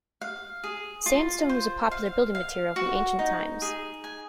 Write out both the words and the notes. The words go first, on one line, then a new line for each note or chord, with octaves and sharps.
Sandstone was a popular building material from ancient times.
F5
G#4
F4
C5
F5
F5
F#4
D#4
G#4
G#5